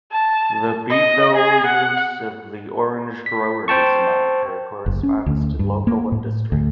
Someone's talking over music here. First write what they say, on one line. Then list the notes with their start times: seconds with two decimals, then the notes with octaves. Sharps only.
The Beeville use of the "Orange Growers" moniker corresponds to local industry.
0.12 A5
0.90 D#5
1.37 G#4
1.66 F#5
3.26 B6
3.68 C5 G5 A5 C#6
4.86 F#1
5.03 C#4
5.26 D2
5.59 G2
5.87 A#3
6.12 A2
6.52 D2